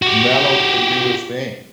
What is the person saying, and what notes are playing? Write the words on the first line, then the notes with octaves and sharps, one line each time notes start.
Canelo couldn't do his thing.
F#4 G4